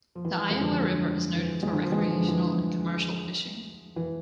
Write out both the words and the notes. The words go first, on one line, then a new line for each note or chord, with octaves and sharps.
The Iowa River is noted for recreational and commercial fishing.
F3
E3
G#3
D3 F3
E3
G#3
D3 F3
F3
E3 G#3
D3 F3
E3
E3